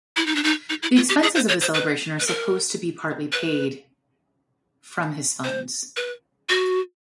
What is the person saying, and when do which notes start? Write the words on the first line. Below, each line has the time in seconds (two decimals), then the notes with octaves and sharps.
The expenses of the celebration are supposed to be partly paid from his funds.
0.17 E4
0.26 D#4
0.36 D4
0.44 D#4
0.70 D#4
0.83 E4
0.96 F4
1.09 G4
1.23 G#4
1.35 C5
1.48 C#5
1.61 C5
1.74 B4
2.20 B4
2.27 A#4
3.32 B4
5.44 C5
5.97 B4
6.49 F#4